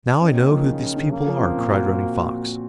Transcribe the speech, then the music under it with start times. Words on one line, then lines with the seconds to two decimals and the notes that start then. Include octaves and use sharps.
"Now I know who these people are," cried Running Fox.
0.21 D#3 C#4
0.36 A#3
0.51 F3
0.66 C#3
0.82 C#3
0.97 C#3
1.11 C#3 A#3
1.27 F3
1.41 C4
1.57 A#2
1.72 F#4